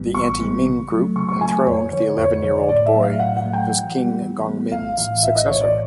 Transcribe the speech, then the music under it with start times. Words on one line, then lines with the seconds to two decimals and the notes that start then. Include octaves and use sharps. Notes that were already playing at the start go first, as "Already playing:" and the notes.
The anti-Ming group enthroned the eleven-year-old boy, as King Gongmin's successor.
Already playing: A1 G#2 E3 G3 B3
0.15 A1 C#6
0.40 G#2 E3 G3 B3
0.64 C#3
0.91 F#3 A3
1.16 C#3 C#6
1.29 C#6
1.41 F#3 A3 G#5
1.66 F2 C#5
1.92 D3 F3 C#5
2.18 F2 C#5
2.43 D3 F3 C#5
2.56 D5
2.69 A2 D5
2.86 E5
2.94 F#3 A3
3.03 F5
3.19 A2 F#5
3.37 F#5
3.45 F#3 A3
3.53 G5
3.70 E3 F#5
3.96 G3 B3
4.22 E3
4.46 G3 B3
4.72 A#1 F5
4.97 A2 E3 F5
5.23 A#1 E5
5.36 D#5
5.49 A2 E3 C#5
5.61 D5